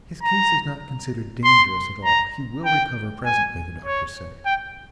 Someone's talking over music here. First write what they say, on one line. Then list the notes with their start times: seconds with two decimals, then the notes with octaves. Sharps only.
His case is not considered dangerous at all; he will recover presently, the doctors say.
0.23 A#5
1.44 C6
2.05 A#5
2.65 G5
3.25 G#5
3.86 C#5
4.46 G5